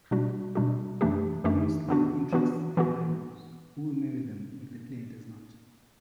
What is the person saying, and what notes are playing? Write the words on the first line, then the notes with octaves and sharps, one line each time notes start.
Most love interests have rivals, who will marry them if the player does not.
B2 G3 D4 F#4
B2 G3 D4 F#4
F#2 E3 A3 D4 G4
F#2 E3 A3 D4 G4
E3 B3 D4 F#4
E3 B3 D4 F#4
E3 B3 F#4